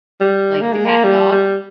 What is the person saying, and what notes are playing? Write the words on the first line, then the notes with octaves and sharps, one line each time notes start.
like the cat and dog,
G3
A#3
G#3
A#3
G3
G3